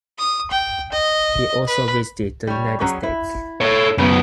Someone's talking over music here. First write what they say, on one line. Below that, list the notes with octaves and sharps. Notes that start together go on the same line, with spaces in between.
He also visited the United States.
D#6
G5
D#5
B4
G3 C#5
F#3 C#4 G#4
E4
A4 C#5
F#2 C#3 G3 B3 C#5